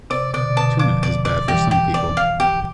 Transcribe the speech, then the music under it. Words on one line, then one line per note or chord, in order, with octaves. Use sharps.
Tuna is bad for some people.
C3 D5
B2 D3 D5
B2 D3 A5
D3 F3 D6
D5
D5
E3 G3 G4
G4
D5
F5
G4